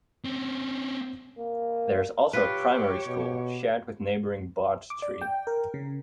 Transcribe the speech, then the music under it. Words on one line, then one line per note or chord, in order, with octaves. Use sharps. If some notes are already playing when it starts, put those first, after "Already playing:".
There is also a primary school, shared with neighbouring Bartestree.
C4 C#4
A#3
F4 G4 B4 C#5
B2
D6
D5
G5
A#4
C#3